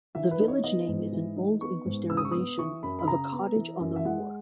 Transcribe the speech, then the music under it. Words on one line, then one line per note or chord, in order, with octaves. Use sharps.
The village name is an Old English derivation of "a cottage on the moor".
E3 E5
B4
D#4
C#5
B3 D#5
G#2
E3
D#4
B3 C#6
G#2
C#3 E6
D#6
C#6
B3 D#6
E3 C#6
F#2 B5
B5
C#3 A#5
B3
E3
F#2
E5
G#3 F#5